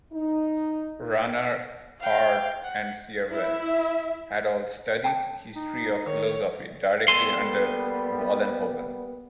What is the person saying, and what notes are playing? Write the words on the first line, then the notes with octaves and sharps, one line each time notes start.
Runner, Hart, and Seerveld had all studied history of philosophy directly under Vollenhoven.
D#4
F5 G5
F#5
E4 E5
G5 A5 D#6
D#4
D#3 C#5 D#6
G3 A#3 B3 A4 G#5 C6